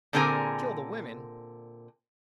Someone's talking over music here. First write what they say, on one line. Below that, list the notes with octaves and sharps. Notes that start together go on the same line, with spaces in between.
Kill the women?
A#2 D3 C4 G#4 A#4 G#5